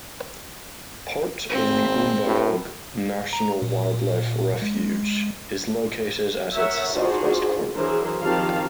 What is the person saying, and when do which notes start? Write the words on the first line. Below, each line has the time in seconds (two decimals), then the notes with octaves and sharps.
Part of the Umbagog National Wildlife Refuge is located at its southwest corner.
1.50 G#1 C4
2.27 A2
3.33 A#5
3.62 A#2
4.62 G#3
6.53 A#4 C#5 E5 F#5
6.92 D4 D#4 F4 F#4 G#4 C5
7.75 E3 F#3 D4 G#4 A#4 C5
8.22 D#3 F3 C4 G4 F5 A5